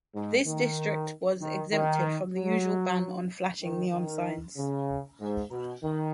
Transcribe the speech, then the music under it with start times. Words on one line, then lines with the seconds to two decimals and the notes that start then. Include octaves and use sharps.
This district was exempted from the usual ban on flashing neon signs.
0.15 G#2
0.46 D#3
1.41 D#3
1.72 D#3
2.36 F#3
3.62 D#3
3.93 D#3
4.57 C#3
5.20 G#2
5.51 B2
5.83 D#3